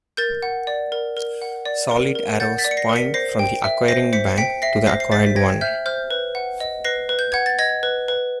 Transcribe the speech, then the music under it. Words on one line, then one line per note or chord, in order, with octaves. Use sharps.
Solid arrows point from the acquiring bank to the acquired one.
A#4 G6 A6
F#5
D5
A#4
A#4
F#5
D5
A#4
A#4
F#5 G6 A6
A6 B6
D5
C#7
A#6 C7
A#4
B6 C#7
C5 A#6 C7
G5
E5
C5 A#6 C7
C5 B6 C#7
G5 B6 C#7
E5 A#6 C7
C5 A#6 C7
C7
C5 A6 B6
B6
G5 G#6 A#6
E5 F6 G6
C5 F6 G6
B4
F#5
D#5
B4 A#6 C7
B4
G6
F#5 G#6
A6
D#5 G#6 A#6
B4
B4